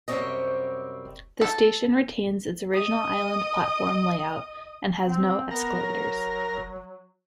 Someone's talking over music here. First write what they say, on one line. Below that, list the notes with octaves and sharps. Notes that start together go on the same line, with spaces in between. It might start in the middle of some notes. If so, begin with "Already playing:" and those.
The station retains its original island platform layout and has no escalators.
F#2 C3 G3 C4 C#5 D#5
A4
D#5 D#6
C4
B3 A#4
F#3